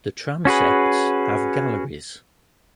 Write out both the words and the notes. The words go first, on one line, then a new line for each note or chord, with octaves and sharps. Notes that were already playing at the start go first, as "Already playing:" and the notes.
The transepts have galleries.
C#4 F#4 G#4 B4